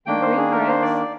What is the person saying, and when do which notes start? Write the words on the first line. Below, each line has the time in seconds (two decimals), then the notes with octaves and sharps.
"And green grass?"
0.06 D#3 A#3 D4 G5
0.21 C5
0.37 G#4
0.52 A#4
0.67 C5
0.82 D5
0.97 D5